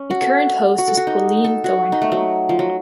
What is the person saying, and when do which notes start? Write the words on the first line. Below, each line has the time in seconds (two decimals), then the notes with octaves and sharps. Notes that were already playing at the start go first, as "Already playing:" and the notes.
The current host is Pauline Thornhill.
Already playing: C#4
0.11 F#4
0.22 A4
0.78 F#4
0.88 A4
0.97 F#4
1.07 D#4
1.44 A4
1.64 F#4
1.92 D#4
2.02 A3
2.12 F#3
2.49 F3
2.59 F#3